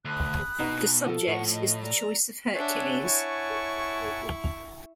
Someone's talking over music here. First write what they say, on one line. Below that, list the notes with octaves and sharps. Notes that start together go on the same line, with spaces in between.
The subject is the Choice of Hercules.
D2 B5 D#6 F#6
B2 B3 D#4
F3 A4
A2 F#5 C#6
D#5
D5 A#5
D4 C#5 E5 F#5 G#5 A5
E4 C#6